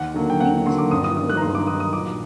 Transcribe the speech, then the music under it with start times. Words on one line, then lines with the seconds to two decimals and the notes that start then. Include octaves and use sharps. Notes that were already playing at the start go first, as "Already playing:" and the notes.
Me too,
Already playing: D#2 F#5
0.14 D3 F#3 A#3
0.30 G5
0.40 D#2 F#5
0.66 D3 F#3 A#3 C6
0.78 D6
0.91 G2 D#6
1.04 D#6
1.17 D#3 F#3 D#6
1.30 F#6
1.37 A#5
1.42 G2 C6
1.55 D6
1.67 D#3 F#3 D#6
1.80 D#6
1.93 A#1 D6